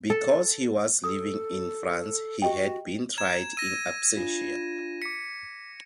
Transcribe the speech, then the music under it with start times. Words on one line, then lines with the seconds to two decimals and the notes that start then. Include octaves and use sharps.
Because he was living in France, he had been tried "in absentia".
0.10 A4
1.04 A4 D#6
2.42 F#4 G4 D#5 G5
3.18 A#5 G#6 E7
3.57 E6 A#6 D#7
4.16 D4 F4
5.02 D6 B6 C#7